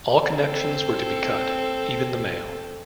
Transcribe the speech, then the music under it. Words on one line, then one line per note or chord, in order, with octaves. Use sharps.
All connections were to be cut, even the mail.
C4 A4